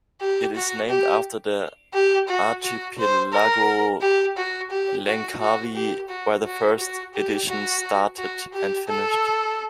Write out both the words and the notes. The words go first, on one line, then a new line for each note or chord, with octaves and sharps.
It is named after the archipelago Langkawi, where the first edition started and finished.
G4
F#4
G4
G4
F#4
F#4
C5
A#4
G4
F#4
G4
F#4
F#4
G4
F#4
F#4
F#4
G4
F#4
F#4
G4
A4